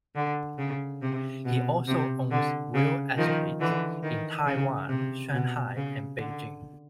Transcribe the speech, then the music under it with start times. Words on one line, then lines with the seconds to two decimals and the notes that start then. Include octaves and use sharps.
He also owns real estates in Taiwan, Shanghai, and Beijing.
0.15 D3
0.58 C#3
1.02 C3
1.45 B2
1.87 C3
2.31 D3
2.74 C#3
3.17 D#3 F3
3.60 D3 E3
4.03 D#3
4.46 C#3
4.89 C3
5.33 B2
5.76 C#3
6.19 D3